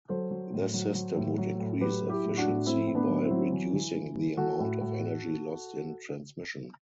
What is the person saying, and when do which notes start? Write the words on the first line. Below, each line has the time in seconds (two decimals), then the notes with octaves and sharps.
This system would increase efficiency by reducing the amount of energy lost in transmission.
0.09 F#3 A4 C5
0.31 F#3
0.53 A2
0.74 F#3
0.95 F#3
1.16 A2
1.38 F#3
1.60 A2
1.81 F#3 G4 B4
2.02 F#3
2.09 E4 G4
2.24 A2
2.37 D4 F#4
2.45 A2
2.66 A2 C4 E4
2.87 A2
2.95 B3 D4
3.09 F#3
3.23 C4 E4
3.30 F#3
3.52 E3
3.74 E3
3.94 E3
4.17 E3
4.37 E3 F#4 A4
4.59 A2
4.81 A2